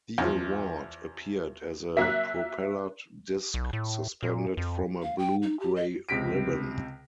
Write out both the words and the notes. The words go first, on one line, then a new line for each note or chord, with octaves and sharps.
The award appeared as a propellered disc suspended from a blue-grey ribbon.
E2 F3
F#3 A#3 E5 F#6
B1
A2
A#2
F2
F5
G5
D#4
G4
D#5
C#2 C3 B6 D7